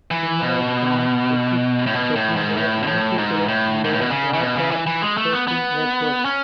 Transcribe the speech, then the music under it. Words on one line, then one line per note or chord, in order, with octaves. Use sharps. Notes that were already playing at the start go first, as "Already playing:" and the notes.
Similar plans exist between the manufacturer and the Warsaw Chopin Airport.
E3
B2
A2
B2
A2
G#2
A2
B2
A2
G#2
A2
G#2
A2
B2
C#3
C#3
B2
C#3
E3
E3
G#3
A3
B3
B3
C#4